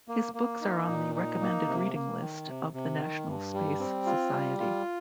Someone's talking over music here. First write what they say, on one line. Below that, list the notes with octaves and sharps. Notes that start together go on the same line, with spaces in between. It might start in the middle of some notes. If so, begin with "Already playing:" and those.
His books are on the recommended reading list of the National Space Society.
A#3
A#3
D#4
A#2
D#4
A#3
C3
A#3
D#3
C3
C3
D#3
G2
G3
C4
F4
G3
F4